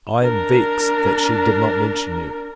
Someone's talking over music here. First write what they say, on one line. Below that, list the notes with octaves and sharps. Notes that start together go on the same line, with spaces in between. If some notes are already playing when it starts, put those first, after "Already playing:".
I am vexed, that she did not mention you!
D4 A#4